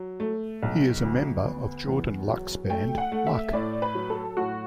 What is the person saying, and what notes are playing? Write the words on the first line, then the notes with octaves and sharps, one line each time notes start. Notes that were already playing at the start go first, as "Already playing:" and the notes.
He is a member of Jordan Luck's band Luck.
Already playing: F#3
A3
B1
D2
B3
E2
F#3
A3 G5
F#5
A3
E5
A2 D5
B4
F#3
A4
A2 F#4